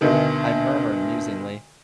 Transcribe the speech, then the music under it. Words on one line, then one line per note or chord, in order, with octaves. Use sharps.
I murmured musingly.
D2 B2 D#3